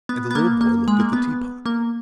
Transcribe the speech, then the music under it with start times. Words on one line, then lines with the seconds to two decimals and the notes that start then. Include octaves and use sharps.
And the little boy looked at the tea-pot.
0.09 B3
0.31 B3
0.35 A#3
0.61 A#3
0.88 G#3
1.00 A#3
1.13 B3
1.66 A#3